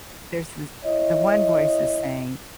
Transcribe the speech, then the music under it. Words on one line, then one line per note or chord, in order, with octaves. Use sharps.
There's this the one voice is saying,
E4 C#5 D#5